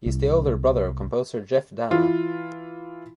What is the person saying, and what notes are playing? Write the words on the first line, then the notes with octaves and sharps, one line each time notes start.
He is the older brother of composer Jeff Danna.
C2
E3 F4